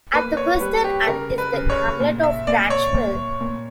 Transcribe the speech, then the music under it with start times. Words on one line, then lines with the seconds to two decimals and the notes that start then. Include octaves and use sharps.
At the western end is the hamlet of Grangemill.
0.13 A#3 B4
0.37 C#5
0.60 G3 B4
0.84 G4
1.07 C#3 A#4
1.38 B4
1.53 C#3
1.70 C#5
2.00 A#2
2.23 E5
2.47 A#2 D5
2.70 C#5
2.94 A#2
3.41 A#2